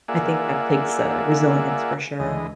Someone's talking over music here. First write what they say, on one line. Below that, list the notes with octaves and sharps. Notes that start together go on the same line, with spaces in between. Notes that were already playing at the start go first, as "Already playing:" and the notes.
I think that takes, uh, resilience for sure.
A#3 F4 G#4 D5 E5 F#5
D2 E3 G#3 D#5